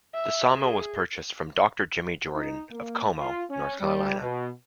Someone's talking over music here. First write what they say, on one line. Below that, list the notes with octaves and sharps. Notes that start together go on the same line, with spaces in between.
The sawmill was purchased from Doctor Jimmy Jordan of Como, North Carolina.
E5
G#4
D#4
A#3
F4
C#4
G3
B2